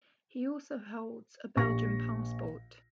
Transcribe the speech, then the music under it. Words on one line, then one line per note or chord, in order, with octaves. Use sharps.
He also holds a Belgian passport.
A#1 G4 C#6 A#6